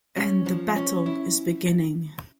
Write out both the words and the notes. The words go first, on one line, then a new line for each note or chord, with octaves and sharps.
And the battle is beginning.
C#4
F3
C#4
E4